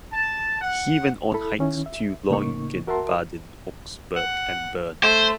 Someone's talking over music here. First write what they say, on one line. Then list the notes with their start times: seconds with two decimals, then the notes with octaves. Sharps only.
He went on hikes to Lauingen, Baden, Augsburg and Bern.
0.12 A5
0.62 F#5
1.34 E4 A4 B5
1.59 D#3 C#4 E4
1.86 E5
2.30 A2 C#3 A#3 D#4 C#6
2.87 F#4 A#4 E5 F#5 A5 C6
4.16 F#5
5.04 A3 C5